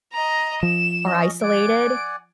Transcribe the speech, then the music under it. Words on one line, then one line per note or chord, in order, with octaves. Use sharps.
are isolated
D#5 A#5
F3 E7
C#4 D#5
D5 F#5 G#5 D7